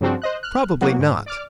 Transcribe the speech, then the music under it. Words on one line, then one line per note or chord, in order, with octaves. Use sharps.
Probably not.
G2 C#3 F3 C4 D4 F#4
C5 D#5 F#6
F6 F#6
E3 F#3 A#3 B3 F#4
G#2
D5 D6 F6